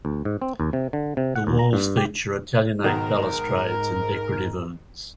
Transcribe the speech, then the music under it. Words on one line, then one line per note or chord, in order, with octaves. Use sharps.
The walls feature Italianate balustrades and decorative urns.
D2
G#2
C4
D#2
C3
D3
C3
F#5
D#2
A#5
G2
G4
B1 G#2 D#3 A#4 A#5